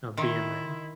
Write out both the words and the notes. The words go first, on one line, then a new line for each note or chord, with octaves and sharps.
of being there.
D#3 E4 D#5 C6